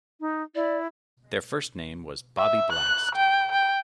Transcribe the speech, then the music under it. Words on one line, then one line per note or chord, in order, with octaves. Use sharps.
Their first name was "Bobby Blast".
D#4
E4 D5
E5
F#6
G5
G5